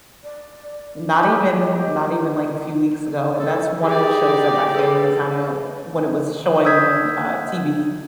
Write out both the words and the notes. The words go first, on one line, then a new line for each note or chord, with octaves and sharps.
not even not even like a few weeks ago, and that's one of the shows that my family kinda when it was showing on, uh, TV
D5
G4 G#4
D#5
A4
D#4 G4 G#4 D5
G#4 A4 B4 C#5
D#6 E6 G6 G#6 B6